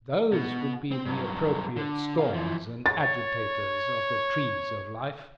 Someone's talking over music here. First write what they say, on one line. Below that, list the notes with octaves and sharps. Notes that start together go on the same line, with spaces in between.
Those would be the appropriate storms and agitators of the trees of life!
B2
C4
G2 F#3
D3
B2 F5
E3 F3
C#5 A6